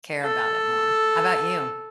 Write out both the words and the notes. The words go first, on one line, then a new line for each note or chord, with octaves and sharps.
care about it more. How 'bout you?
A4